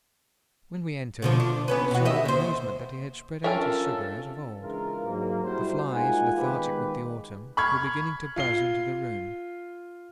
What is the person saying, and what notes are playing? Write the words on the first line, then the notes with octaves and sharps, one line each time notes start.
When we entered we saw with amazement that he had spread out his sugar as of old; the flies, lethargic with the autumn, were beginning to buzz into the room.
B2 D3 F3
D4
B3 C#4 B4
B2 F#4
G4 D#5 E5
D#2 C5
F3 C#4 D4 F4 A4 A#4 E5 G#5
C#3 E3 G#3 D4 F4 A#4
G#2 F#3 A#3
G3 C4 E4 F#4 C5
G#3 A#3 D#4 F4 F#5 G#5
D#3 G#3 B3 D#4 G4 B4
B5 C#6 F6 G#6
F4 C7 G7